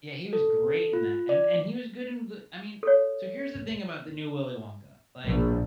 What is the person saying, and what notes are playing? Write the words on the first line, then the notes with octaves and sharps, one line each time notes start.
yeah, he was great in that, and and he was good in the I mean, so here's the thing about the new Willy Wonka, like,
A4
F4
D5
A4 C#5
A#1